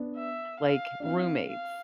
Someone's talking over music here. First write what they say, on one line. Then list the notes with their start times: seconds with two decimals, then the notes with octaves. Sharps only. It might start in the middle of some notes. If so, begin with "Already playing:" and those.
like roommates.
Already playing: B3 D4
0.16 E5
0.60 F5
1.00 D4
1.05 C4 E4 F5
1.49 F5